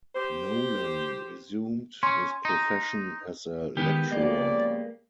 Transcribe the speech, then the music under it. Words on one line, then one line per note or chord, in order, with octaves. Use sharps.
Nolan resumed his profession as a lecturer.
G4 C5
C#4 C6
D#4
D#3 G#3 B3 G4
C#3 F3 A#3 D5